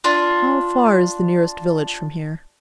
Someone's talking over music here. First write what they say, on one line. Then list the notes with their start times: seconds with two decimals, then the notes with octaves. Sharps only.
"How far is the nearest village from here?"
0.04 D4 F4